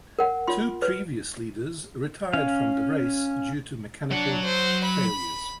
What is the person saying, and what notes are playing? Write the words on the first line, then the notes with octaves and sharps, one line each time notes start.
Two previous leaders retired from the race due to mechanical failures.
A#4 F#5
F4 C6
B4
C#4 F5
F#3 D4 F#5
C5
B5